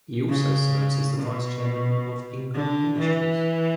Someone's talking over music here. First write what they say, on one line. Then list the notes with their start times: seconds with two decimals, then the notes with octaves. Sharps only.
He also serves as the Vice Chairman of Ingram Industries.
0.29 C#3
1.19 B2
2.53 D3
2.99 E3